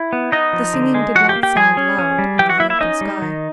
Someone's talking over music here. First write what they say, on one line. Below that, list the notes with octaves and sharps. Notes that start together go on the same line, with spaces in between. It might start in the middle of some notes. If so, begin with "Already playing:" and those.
The singing did not sound loud under the open sky.
Already playing: E4
B3
B3 D#4 D#5
F3
D3
G#3
F3 F#4 F#5
G4 G5
A#3
G4 G5
F3 G#4 G#5
C#4
C#4
G3
E3 G4 G5
F#4 F#5
A#3 E4 E5
E4 E5
C#4 D#4 D#5
G3
D#3